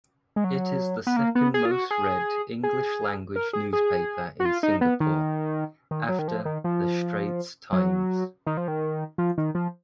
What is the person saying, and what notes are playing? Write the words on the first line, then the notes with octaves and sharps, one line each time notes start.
It is the second-most-read English-language newspaper in Singapore, after "The Straits Times".
G#3
F#3
B3
A#3
B3
G#4
F4
F#4
G#4
G#4
A#4
G#4
G#4
F#4
F4
D#4
B3
D#3
D#3
F#3
D#3
F3
D#3
F3
F#3
D#3
F3
D#3
F3
D#3
F3